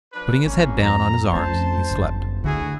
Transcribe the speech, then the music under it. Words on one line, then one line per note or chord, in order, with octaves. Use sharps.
Putting his head down on his arms, he slept.
F3 D4 B4
G#1 A#3 C#4
F2 A#5
A3 C#4 C5 A5
G1 F#2
D2 D3 E4 F#4 G#4